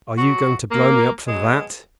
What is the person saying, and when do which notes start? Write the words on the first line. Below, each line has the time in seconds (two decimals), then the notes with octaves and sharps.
Are you going to blow me up for that?
0.15 B2 F#3 F#4
0.71 A#3
1.27 B2 F#3 G#3